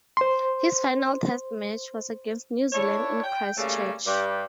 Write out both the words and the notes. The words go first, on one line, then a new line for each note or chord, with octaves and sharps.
His final Test match was against New Zealand in Christchurch.
C5 C6
D4 E4 C#5
G5
C#3 G3 A3 A#3 C#4
G2 G3